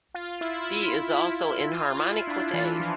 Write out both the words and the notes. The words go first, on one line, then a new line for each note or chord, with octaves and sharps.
B is also enharmonic with A.
F4
E4
E4
E4
F4
E4
D4
E3
F3